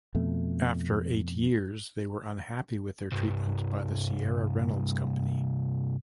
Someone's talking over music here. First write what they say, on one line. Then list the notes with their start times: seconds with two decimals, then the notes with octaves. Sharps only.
After eight years, they were unhappy with their treatment by the Sierra Reynolds Company.
0.15 F2 B2 A3
3.12 C2 G2